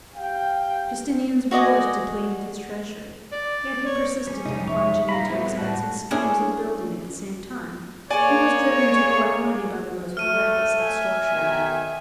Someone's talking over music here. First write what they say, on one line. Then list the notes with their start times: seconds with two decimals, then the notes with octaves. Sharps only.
Justinian's wars depleted his treasury; yet he persisted in plunging into expensive schemes of building at the same time, and was driven to collect money by the most reckless extortion.
0.16 G4 F5 G5
1.51 F#4 D5 D#5 G#5
3.32 D5
3.86 C#5
4.27 G3 C#4
4.46 C2 F2 D#4
4.68 C#5 E5 C#6
5.09 A#2 G3 F5 A#5 B5
5.28 A3 B3 C4 E4 E5
5.57 A2 F#4 A5
6.11 C#4 D4 E4 G#4
8.11 A#3 G#4 C#5 D5 G#5
10.17 A3 F6 D#7
10.81 E5 G#5
11.31 B1 B2 D#3